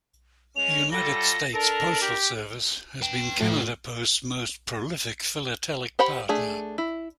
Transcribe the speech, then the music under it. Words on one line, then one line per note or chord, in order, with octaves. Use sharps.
The United States Postal Service has been Canada Post's most prolific philatelic partner.
G#3 C#4 F7
F#3 G3 F4 A4 A#6
D4 A4 A#4 A#6
G4
B4 G5
A2 F4 G5
G4 C5 F#5 G5 B5
A3 D4 G#4
E4